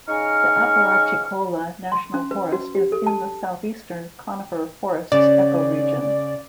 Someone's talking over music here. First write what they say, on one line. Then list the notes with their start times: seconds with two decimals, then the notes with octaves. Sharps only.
The Apalachicola National Forest is in the southeastern conifer forests ecoregion.
0.08 C#3 D#4 G#5 A#5 C#6 F6
1.92 C6
2.14 C#4
2.31 B4
2.52 F#4
2.75 G4
2.92 A4
3.06 A5
5.12 C#3 D5